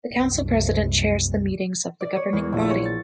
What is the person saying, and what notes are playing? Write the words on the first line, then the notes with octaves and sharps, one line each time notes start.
The Council President chairs the meetings of the governing body.
F#1 C2
D5
C#5
E2
A#1
C#5
A6